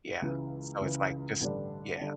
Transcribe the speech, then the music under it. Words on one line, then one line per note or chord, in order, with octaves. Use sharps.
Yeah. So it's like just yeah.
C#2 C#3 E3
C#2 C#3 E3
A1 G2 D3 G3 D4
D3 G3 D4